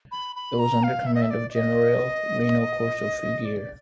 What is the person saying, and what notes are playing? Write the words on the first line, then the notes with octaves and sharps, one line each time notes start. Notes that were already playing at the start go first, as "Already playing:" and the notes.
It was under command of "Generale" Rino Corso Fougier.
B5
B5
A#5
F5
E5
D#5
E5
D5
D5
D#5
D5